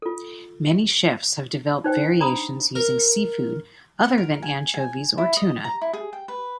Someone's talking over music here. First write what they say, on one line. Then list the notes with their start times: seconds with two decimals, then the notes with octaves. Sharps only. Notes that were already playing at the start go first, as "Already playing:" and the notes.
Many chefs have developed variations using seafood other than anchovies or tuna.
0.02 F4 A4
1.84 D#4 C5 G5
2.20 D4 A#5 B5 D#6
2.75 A#4
4.05 F#5
4.18 A#4
4.42 G#5
4.74 G#5
5.18 E4
5.37 D#5
5.65 A#5
5.81 E4
5.93 G#4
6.13 G5
6.28 B4